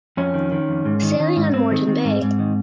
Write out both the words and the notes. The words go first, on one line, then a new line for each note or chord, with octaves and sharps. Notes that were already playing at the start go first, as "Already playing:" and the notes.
Sailing on Moreton Bay.
F2 C#4
D#3
D#3
F2
G#2
D#3
D#3
G#2
G#2 C4
D#3
D#3
G#2
G#2
D#3